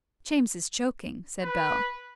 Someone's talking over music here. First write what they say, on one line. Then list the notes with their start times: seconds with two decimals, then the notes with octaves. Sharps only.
"James is joking," said Bell.
1.42 B4